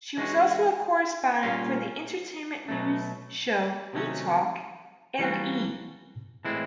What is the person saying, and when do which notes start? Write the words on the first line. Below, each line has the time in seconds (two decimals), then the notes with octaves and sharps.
She was also a correspondent for the entertainment news show "etalk", and E!
0.17 E3 G#3 C#4 F#4
1.43 A#2 G3 A#3 C#4 F4
2.68 B2 F#3 A3
3.93 C3 D#3 F#3 A3 C#4
5.19 E3 G3 A#3 D4 F#4
6.45 A2 E3 G#3 C4 E4